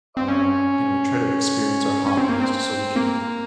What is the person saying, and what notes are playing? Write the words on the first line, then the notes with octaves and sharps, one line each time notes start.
um, you know, try to experience our hobbies just so we can,
C4
C#4
C#4
C4
A#3
C4
A#3